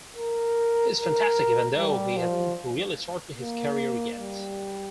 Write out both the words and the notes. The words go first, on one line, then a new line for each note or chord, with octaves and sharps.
He's fantastic even though he hasn't really started his career yet.
A#4
A#4
G3
F3
A#3
G3